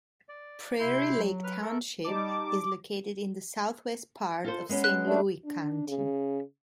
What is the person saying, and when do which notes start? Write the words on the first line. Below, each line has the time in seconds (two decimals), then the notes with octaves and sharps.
Prairie Lake Township is located in the southwest part of Saint Louis County.
0.29 D5
0.80 C3 E4 C6 G6
1.18 F#3
1.44 B4 F6
1.62 A3 A4 A#4
2.04 G3 D#4 A5 D6
4.44 F4 A4 C5
4.69 G#3 B3 C#4
4.84 F#6
5.05 G3 A3 D4
5.45 D4
5.88 C#3